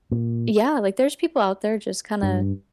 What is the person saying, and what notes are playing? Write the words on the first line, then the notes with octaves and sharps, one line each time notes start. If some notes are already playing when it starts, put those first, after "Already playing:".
Yeah, like, "There's people out there just kinda
A#2
G2